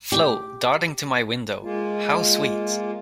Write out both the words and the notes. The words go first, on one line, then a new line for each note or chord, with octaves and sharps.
Flo, darting to my window, — 'How sweet!
G4
G#3 A#3 F4